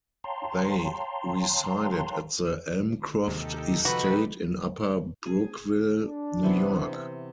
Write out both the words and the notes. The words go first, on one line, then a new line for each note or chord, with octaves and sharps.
They resided at the Elmcroft Estate in Upper Brookville, New York.
C#5 F5 G5 A5 A#5 C6
D#2 C3 D#4 G4 A4
C3 F3 F#4 B4
G#4
D4
C3 E3 B3